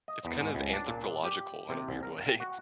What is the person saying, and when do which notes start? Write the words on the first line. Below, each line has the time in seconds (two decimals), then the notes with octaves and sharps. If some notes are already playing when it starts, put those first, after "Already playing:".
It's kind of anthropological in a weird way.
0.08 D#5
0.25 E2
0.40 G#2
0.55 C#2
0.73 D4
0.87 A#2
1.24 G4
1.69 C3
1.89 C2
2.03 A#4
2.28 G5
2.40 F#4